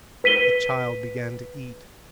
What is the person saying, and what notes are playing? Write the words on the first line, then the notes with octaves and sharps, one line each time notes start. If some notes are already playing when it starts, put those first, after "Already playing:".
The child began to eat.
B4 B6 D#7 G7